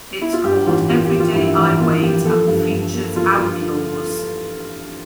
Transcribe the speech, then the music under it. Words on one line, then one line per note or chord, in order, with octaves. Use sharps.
It's called "Everyday I Wait" and features Outlawz.
E4
F4
G2 G4
A1 F4
A#3 F4
G4
F3
F4
G2 E4
A1
A#3 F4
F3 G4
F3 A4
G2
G2
A#3
F3 F4
G2 F4